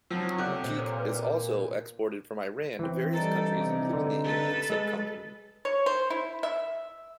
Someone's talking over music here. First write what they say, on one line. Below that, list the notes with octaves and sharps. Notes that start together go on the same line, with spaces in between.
Akik is also exported from Iran to various countries including the Indian subcontinent.
F3 F#3 C4 D#4 E4 E6
C3 A4 D5 D6 F#6
A#2 C5 D#5 D6
A4 C5 C#5
B4
E3 C4
G2 G3 D#4 A4
C3
D3
A4 B4
G#3
C#5
C5
E4
E5